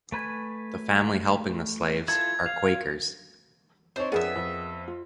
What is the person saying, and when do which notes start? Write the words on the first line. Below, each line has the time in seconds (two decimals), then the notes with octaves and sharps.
The family helping the slaves are Quakers.
0.12 A3 B4 G#5
2.08 E4 F4 A4 G#6
2.46 F5
3.96 C4 D4 D#4 C5 C#5
4.12 F2 B3 D4 G#4 A#4 E5 F#5
4.36 F2
4.88 F4